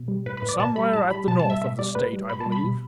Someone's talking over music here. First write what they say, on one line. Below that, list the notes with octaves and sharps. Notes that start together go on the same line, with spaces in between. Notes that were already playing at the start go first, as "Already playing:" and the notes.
"Somewhere at the north of the State, I believe."
Already playing: B2
G3
A2 B4
B4
A2
D5
B2 A5
G3 B5
A2 A5
G3 B5
B2 A5
A5
G3 E5
B2 E5
G3 D5
A2 B4
G3
B2 B5
A5
G3
B5
B2